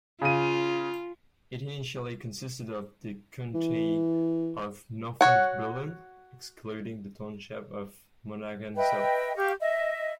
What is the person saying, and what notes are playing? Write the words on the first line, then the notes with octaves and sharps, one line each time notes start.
It initially consisted of the county of Northumberland, excluding the township of Monaghan South.
C#3 F4 D#7
E3
F#4 C#5 F#5
B4 D#5 E5 G5
G4 F5 C#6
D#5 E5